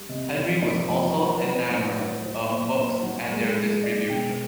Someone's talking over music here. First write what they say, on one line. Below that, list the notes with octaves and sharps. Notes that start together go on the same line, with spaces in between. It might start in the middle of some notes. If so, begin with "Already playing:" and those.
Henry was also enamoured of books and their distribution.
Already playing: G3
C3 D#5
C3 C#5
F3 D5
F3 C#5
F#3 C5
F#3 B4
A2 C5
F#3 C#5
F#3 C5
A#2 C5
C#5
A#2 C5
F#3
G#3
G#3
G#3 D5
B2 G5